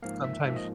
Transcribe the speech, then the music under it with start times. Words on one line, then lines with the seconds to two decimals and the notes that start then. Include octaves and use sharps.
sometimes, you
0.02 G#2 F3 A#3 F5
0.24 E5
0.45 G#2 F3 A#3 E5
0.56 D#5